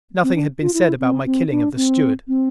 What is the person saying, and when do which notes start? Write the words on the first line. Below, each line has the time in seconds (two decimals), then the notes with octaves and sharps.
Nothing had been said about my killing of the steward.
0.23 C4
0.35 D4
0.61 F4
0.74 E4
1.00 C4
1.26 C4
1.51 D4
1.76 C4
2.28 C4